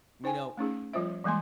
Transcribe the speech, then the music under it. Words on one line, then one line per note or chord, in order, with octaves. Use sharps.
you know,
D#4 C5 G5 G#5
A3 C#4 D#4 G#4
F3 G3 F4 C5 E5
E3 G3 G#3 A#3 G#5 C6